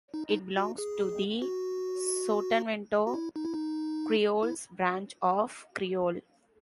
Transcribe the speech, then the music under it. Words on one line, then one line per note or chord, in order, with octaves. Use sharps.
It belongs to the Sotavento Creoles branch of Creole.
D#4
D#4
F#4
G#4
F#4
F#4
E4
D#4
E4
D#4
E4